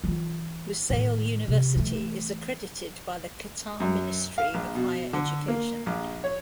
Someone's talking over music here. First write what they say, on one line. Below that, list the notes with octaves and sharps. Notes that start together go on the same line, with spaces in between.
Lusail University is accredited by the Qatar Ministry of Higher Education.
E3 F4
A2 D#3
C3
E3 A3
F#2
F5
A#1
B2
D3
A#3
A#1
C#5